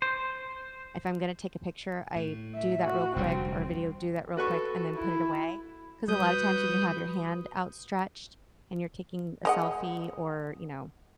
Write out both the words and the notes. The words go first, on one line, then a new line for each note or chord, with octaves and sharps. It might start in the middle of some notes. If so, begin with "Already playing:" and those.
if I'm gonna take a picture, I do that real quick, or a video, do that real quick, and then put it away, 'cause a lotta times when you have your hand outstretched and you're taking a selfie, or, you know,
C5
A2
E5
F#4
F1 D2 G3 C4
F#4 A4 B4 C#6
E4
G3 F#4 B4 D#6 G6
G#3 D#5 F#5